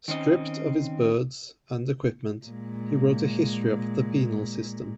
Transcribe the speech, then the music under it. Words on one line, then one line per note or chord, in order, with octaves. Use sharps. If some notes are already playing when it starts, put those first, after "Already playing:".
Stripped of his birds and equipment, he wrote a history of the penal system.
D#3 C4 C#4 D#5
A#2 G#3